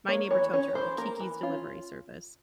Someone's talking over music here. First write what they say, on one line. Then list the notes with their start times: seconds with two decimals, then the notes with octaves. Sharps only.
My Neighbor Totoro, Kiki's Delivery Service,
0.08 A#3 C#5
0.31 E3 C#5
0.53 C#4 C#5
0.75 E3 C5
0.98 A#3 A#4
1.20 E3
1.43 C#4 F4